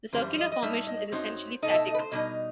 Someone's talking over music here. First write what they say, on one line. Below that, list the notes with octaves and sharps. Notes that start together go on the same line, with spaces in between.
The circular formation is essentially static.
F#2 E3 G3 C5
D#5
D#5
A2 G3 D#4 E5
D#5
F#2 F#3 C4 D#4 C5
B2 A3 D#4 D#5
E5
D#5
B4
C5
B2 G3 D#4 D#5